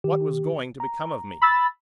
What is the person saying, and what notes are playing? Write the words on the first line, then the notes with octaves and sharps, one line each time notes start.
What was going to become of me?
D#3 G4
A#5
B5 E6 A6